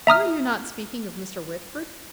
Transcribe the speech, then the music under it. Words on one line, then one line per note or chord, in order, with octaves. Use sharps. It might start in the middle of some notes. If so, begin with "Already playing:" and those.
"Were you not speaking of Mr. Whitford?"
E5 A#5 D#6 F6